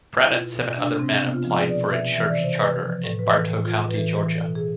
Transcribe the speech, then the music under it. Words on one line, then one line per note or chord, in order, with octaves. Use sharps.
Pratt and seven other men applied for a church charter in Bartow County, Georgia.
E4
B2 F4
B2
C3 D4
C3 C4
C3 B3
F4
F3
F4
G#4
B2 D5
B2 E5
E3 E5
D5
C3
C5
C3 B4
F3
A2 A4
B4
E3
A4
A2
F4
A2
B4
E3 A4
E3
B2 A4
G#4